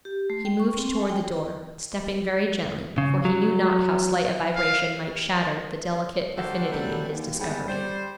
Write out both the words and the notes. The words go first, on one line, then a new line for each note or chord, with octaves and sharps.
He moved toward the door, stepping very gently, for he knew not how slight a vibration might shatter the delicate affinity in his discovery.
G4
A3
G5
C#6
C4
G#5
G5
C#3
F#3
F5
D2 D#3 F#4 G4 A4 C5
F#3 G3 A3 B3 C4 D4
D#2
G#2 D3 G3 A3 B3 G#4
G3 C5